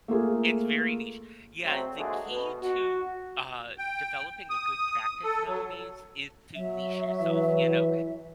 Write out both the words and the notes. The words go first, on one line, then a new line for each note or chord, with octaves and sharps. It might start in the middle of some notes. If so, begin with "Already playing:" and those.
It's very niche. Yeah, the key to, uh, developing a good practice nowadays is to niche yourself, you know,
A3 A#3 F4 G#4
F#3 G#3 A3 C4
A#2 D3 G#3 A3 F#4 G#4
B2
F#4
G5
D#6
A4
F#3
F#3 E5
E3